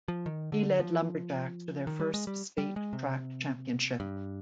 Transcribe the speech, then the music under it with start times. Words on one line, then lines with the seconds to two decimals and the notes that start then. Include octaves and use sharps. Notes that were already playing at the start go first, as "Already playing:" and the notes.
He led Lumberjacks to their first State Track Championship.
0.08 F3
0.26 D#3
0.52 D3
0.80 F3
1.87 D#3
2.00 G3
2.14 G#3
2.27 G3
2.58 G3
2.76 G#3
2.93 C3
4.00 G2